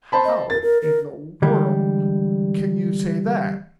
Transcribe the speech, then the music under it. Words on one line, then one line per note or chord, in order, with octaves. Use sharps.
"How in the world can you say that?"
C5 A5 B5
D#5
A#4 A6
A#4
A#4
D3 E3 G3 G#3